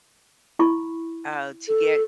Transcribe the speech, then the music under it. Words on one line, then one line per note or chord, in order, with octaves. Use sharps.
uh, to get,
E4 B5 C#6
A4